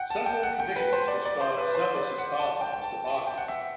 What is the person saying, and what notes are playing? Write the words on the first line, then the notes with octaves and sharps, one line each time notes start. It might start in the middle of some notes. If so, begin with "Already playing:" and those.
Several traditions describe Servius' father as divine.
Already playing: F#5 G5
A5
G5
F#5
G5
B4
C5
D5
D5
C5
B4
C5
D5
F#5
A5
G5
G5
A5
A5
G5
F#5
E5